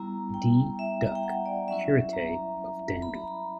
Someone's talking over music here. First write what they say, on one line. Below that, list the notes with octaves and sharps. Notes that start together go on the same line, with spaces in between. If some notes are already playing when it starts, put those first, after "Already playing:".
D. Duck, Curate of Danby.
Already playing: G3 B3 E4 A#5
G5
E5
A#5
G5
F#5
D5
F#3 C#4 E4 E5
A#5
B5
A#5
B5